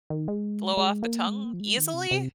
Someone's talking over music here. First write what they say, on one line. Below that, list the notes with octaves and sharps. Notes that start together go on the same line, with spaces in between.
flow off the tongue easily
D#3
G#3
G#3
A#3
G#3
A#3
F3
G#3
D#3
C3
C3